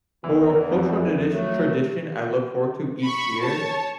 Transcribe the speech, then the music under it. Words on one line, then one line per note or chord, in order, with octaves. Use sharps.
For cultural the dish tradition I look forward to each year,
E2 E3
F2 A5
F#3 A3
B5 C#6
C#5 A5